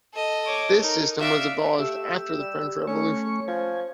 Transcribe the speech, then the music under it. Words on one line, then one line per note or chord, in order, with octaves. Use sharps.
This system was abolished after the French Revolution.
A4 D#5
C#5 D6
D#4 A#4
F#4 D5 E5 F5
A3 G4 E6
G3
A3 C#4 C#6
F3 G#5